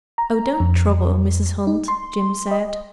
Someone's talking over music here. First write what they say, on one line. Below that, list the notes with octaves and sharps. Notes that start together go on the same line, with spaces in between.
"Oh, don't trouble, Mrs. Hunt," Jim said.
A#5
F2
D#4
C6
D#5